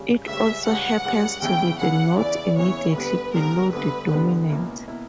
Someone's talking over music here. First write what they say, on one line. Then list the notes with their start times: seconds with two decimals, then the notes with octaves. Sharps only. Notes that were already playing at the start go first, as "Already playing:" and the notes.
It also happens to be the note immediately "below" the dominant.
Already playing: C#3 G3
0.27 C#2 C#3 G3 E5
0.65 C#2 C#3 G3 F#5
1.05 C#2 C#3 G3
1.42 E2 C#3 E3 B3 E4 G5
1.80 E2 C#3 E3 B3 E4 F#5
2.19 E2 C#3 E3 B3 E4 D5
2.57 E2 C#3 E3 B3 E4 C#5
2.95 D2 D3 G3 B3 B4
3.34 D2 D3 G3 B3 A#4
3.72 D2 D3 G3 B3 B4
4.10 D2 D3 G3 B3
4.49 C#2 B2 A#3 E4
4.88 B2 A#3 E4